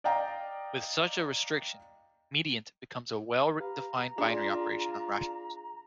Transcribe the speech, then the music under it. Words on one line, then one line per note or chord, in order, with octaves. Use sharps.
With such a restriction, mediant becomes a well-defined binary operation on rationals.
D5 D#5 F5 G5 A#5
G4 B4 F5 A#5
D4 F4 G#4